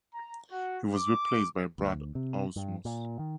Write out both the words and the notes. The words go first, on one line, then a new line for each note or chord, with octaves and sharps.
He was replaced by Brad Ausmus.
A#5
F#4
D6
D2
C3
G2
A#2
D#3